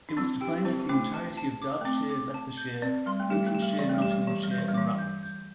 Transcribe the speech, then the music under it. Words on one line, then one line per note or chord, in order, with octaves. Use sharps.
It was defined as the entirety of Derbyshire, Leicestershire, Lincolnshire, Nottinghamshire and Rutland.
D4
C4 E4 E6
D4 G4 G5
G4
C4 E4 C5
E4
A3 D4 D6
A5
A5
D6
A3
C4 D6
D6
A5
G6
C4 D5
G3 C6
A3
G3 G4
A3
G4
G3
E3 D5
A3
G3
G4
G3
E3 G4
G3
G6
E3
G3
E3 D6
G6
G6